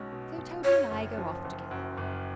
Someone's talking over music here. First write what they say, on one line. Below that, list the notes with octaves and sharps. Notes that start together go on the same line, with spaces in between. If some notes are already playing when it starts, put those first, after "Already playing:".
So Toby and I go off together.
Already playing: B1 B2 G#3 C#4
B2
B1
F#2 C#5
F#1
F3
F#1
F#2
F#1